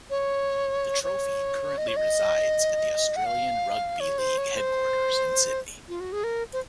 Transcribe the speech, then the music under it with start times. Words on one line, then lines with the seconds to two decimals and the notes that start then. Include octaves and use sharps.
The trophy currently resides at the Australian Rugby League headquarters in Sydney.
0.10 C#5
1.03 C#5
1.78 D#5
1.88 C#5
1.96 D#5
3.16 F#5
3.26 F5
4.00 C#5
4.18 C5
4.38 C#5
4.56 C5
5.88 F4
6.00 F#4
6.12 G#4
6.24 A#4
6.53 C5